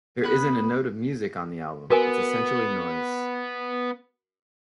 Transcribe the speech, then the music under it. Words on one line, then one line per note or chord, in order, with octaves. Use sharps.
There isn't a note of music on the album; it's essentially noise.
B3 B4 B5 F#6
B3 F#4 A#4 G#5